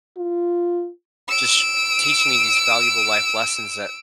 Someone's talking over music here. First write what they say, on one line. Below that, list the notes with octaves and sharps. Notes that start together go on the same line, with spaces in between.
just teaching me these valuable life lessons that
F4
E6 D7